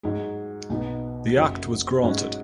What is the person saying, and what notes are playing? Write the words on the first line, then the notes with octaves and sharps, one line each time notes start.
The Act was granted.
G#2 F#3 D#4 G#4
B1 B2 B3 D#4
F#1 F#2 F#3
G#2 F#3 C#4 F#4